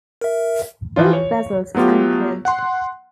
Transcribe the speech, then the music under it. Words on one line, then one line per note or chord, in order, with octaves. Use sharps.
Both vessels anchored.
A#4 E5
E3 F3 F4
C#5
F#3 A3 B3 F4 G4
F#5 C6